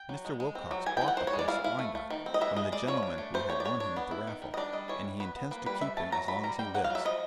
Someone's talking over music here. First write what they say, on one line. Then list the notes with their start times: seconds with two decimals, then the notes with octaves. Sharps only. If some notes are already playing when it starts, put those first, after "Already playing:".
Mr. Wilcox bought the horse at Wyandotte, from the gentleman who had won him at the raffle, and he intends to keep him as long as he lives.
Already playing: G5
0.09 F#3
0.25 G#3
0.40 G#3
0.55 C4
0.71 F#3
0.86 E3 G#5
0.97 G5
1.01 E3
1.08 F#5
1.17 D#3 C5
1.27 C#5
1.33 G#3
1.39 D5
1.48 E4 F5
1.64 E4 F5
1.79 A3
1.95 A3
2.10 D#3
2.26 C4
2.34 D#5
2.41 G#3 E5
2.56 G#3 D#5
2.72 G#3 D5
2.87 F3 C#5
3.03 D4
3.18 A3
3.34 A3 C5
3.50 D4 C#5
3.60 D5
3.65 D4 C#5
3.80 D4 C#5
3.96 B3
4.11 E4
4.27 D#3
4.42 D#3
4.54 D#5
4.57 D4 D5
4.73 G3 D#5
4.88 E3 C#5
5.04 G3
5.20 B3 B4
5.36 B3
5.51 A#3 B4
5.66 G3 B4
5.81 A3 E5
5.97 A3 A5
6.12 F#3 A#5
6.28 F#3 B5
6.43 G3 A#5
6.59 G3 G5
6.74 F#3 F#5
6.84 F5
6.90 F#3 E5
7.05 F3 D#5